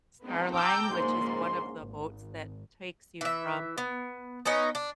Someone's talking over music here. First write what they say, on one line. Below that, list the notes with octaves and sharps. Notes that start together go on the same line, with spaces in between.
Star Line, which is one of the boats that takes you from
G#3 B3 C4 D#4
G5 A5 A#5 D6 E6 G6
A#1 G#2 C#3 A#3 C6
G#1
E3 E5
B3
B3 C#4 D#4 D#5
D4